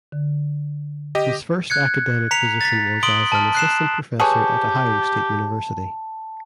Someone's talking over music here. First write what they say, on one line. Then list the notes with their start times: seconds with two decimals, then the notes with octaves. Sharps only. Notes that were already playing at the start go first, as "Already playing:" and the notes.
His first academic position was as an Assistant Professor at Ohio State University.
0.12 D3
1.15 G4 D#5
1.70 F#6 G#6 C#7
2.31 A#5 B6 C#7 F7
2.61 A6 B6
3.03 C6 D#6 D7 F#7 G7
3.32 A5 F6
3.55 F#6 C7 E7
4.20 G4 G#4 B4 C#5 A5